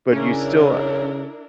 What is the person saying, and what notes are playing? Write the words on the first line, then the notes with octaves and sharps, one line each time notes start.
but you still
C#3 C#4 D4 E4 A#4